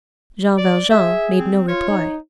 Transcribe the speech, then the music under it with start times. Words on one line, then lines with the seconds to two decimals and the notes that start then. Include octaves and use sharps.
Jean Valjean made no reply.
0.58 D5
0.91 G#4 E5
1.39 C4
1.68 F4 C#5
1.89 D#4